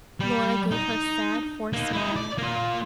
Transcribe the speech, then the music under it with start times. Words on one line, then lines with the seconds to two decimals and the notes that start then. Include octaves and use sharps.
Laura gave her sad, forced smile.
0.20 G3
0.71 D#4
1.73 A#3 D#4
1.93 E4 D#5
2.16 D5
2.38 A#3 F4